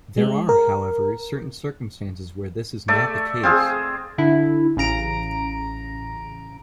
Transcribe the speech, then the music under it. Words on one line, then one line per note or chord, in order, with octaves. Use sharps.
There are, however, certain circumstances where this is not the case.
G#3
A#4
A3 D5 E5
C4 F4 G#4
D3 E4
A1 C#3 A#5 D7